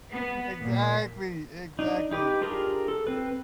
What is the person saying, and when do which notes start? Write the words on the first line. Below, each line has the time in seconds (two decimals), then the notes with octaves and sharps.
Exactly, exactly.
0.12 B3
0.64 A#2
1.79 D4 D#4
2.11 D#4 G4 B4 D6
2.41 D4 F4 G4 G#4 A#4
2.88 A4
3.07 C4 B4